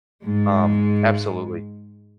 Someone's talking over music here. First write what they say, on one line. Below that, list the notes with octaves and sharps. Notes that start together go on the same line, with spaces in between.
um, absolutely.
G#2 G#3